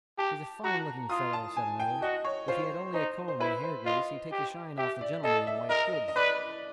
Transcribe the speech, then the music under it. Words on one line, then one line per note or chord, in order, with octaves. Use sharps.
"He's a fine looking fellow," said another; "if he had only a comb and hair-grease, he'd take the shine off the gentlemen in white kids."
G4 A5
F#4 A#5
F4 D#6
A5
G#5
G5
F#4 D#5
C#5
F4 C5
D#4 C5
C5
E4 B4
C5
F4 D#5
G4
G4 E5
D5
A4 D#5
E5
A#4 D#5
D#5
D#5
B4 D5